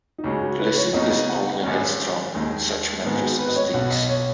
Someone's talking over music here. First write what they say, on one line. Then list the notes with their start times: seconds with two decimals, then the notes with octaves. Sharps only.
Lizzy is only headstrong in such matters as these.
0.18 D#4
0.24 C#2 C#3 G#3 F#4
0.41 F#4
0.59 B4
0.76 C#5
0.93 C#2 C#3 B3 D#4 D#5
1.11 D#5
1.29 F#5
1.47 F#5
1.63 G#1 G#2 F#3 C#4 D#5
2.34 D#2 D#3 G#3
3.04 G#2 D#3 G#3 B3 B4
3.16 G#4
3.21 F#4
3.39 B4
3.48 D#5
3.56 C#5
3.73 B1 B2 F#3 F#5
3.91 D#5
4.09 C#5